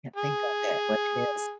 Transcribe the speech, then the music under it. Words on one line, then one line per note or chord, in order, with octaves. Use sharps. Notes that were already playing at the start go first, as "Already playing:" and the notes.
Can't think of it, what it is.
G#4